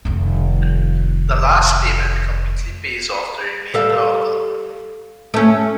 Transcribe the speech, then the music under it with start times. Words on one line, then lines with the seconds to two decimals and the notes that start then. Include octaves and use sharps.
The last payment completely pays off the remainder of the loan.
0.05 F1 D#3
3.74 G3 A4 F5
5.34 A3 C#4